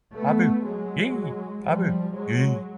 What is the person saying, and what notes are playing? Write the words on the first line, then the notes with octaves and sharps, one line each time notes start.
Abu Ye Abu ye!
A3 B3
F#3 G#3
F3 G3
F#3 G#3